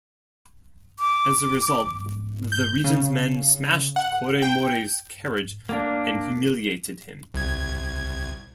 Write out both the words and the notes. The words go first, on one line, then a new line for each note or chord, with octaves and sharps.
As a result, the Regent's men smashed Koremori's carriage and humiliated him.
D6
G6
C#3
F#5
G5
A#3 D4
C2 G#6